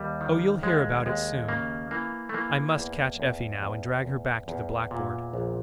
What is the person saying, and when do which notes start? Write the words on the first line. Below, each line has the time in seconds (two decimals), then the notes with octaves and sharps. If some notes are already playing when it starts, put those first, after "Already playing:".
"Oh, you'll hear about it soon...I must catch Effie now and drag her back to the blackboard."
Already playing: D#2 G3
0.21 D#3
0.63 D#2 G#3
1.06 D#2 G#3
1.48 C#3 A#3
1.91 E3 A#3
2.29 A3
2.34 E3 A#3
2.77 E2
3.20 E2
3.63 E2
4.05 E2
4.48 E2
4.91 A#2
5.34 A#1